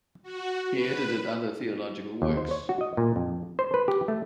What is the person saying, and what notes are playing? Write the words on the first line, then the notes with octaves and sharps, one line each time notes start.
He edited other theological works.
F#4
B4
D#2
C5
C#5
F#4
D#5
A#2
F2
C5
B4
G4
A3